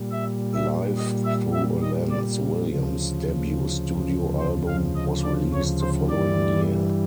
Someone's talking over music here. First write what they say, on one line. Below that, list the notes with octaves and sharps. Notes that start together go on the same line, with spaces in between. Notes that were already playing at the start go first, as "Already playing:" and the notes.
"Life thru a Lens", Williams' debut studio album, was released the following year.
Already playing: A#2 G3
E5
E5
D#5
E5
E5
D#5
D5
D2 C#3 F3
C5
F5
D#5
D5
C#5
C5
G2 E3 G3 D5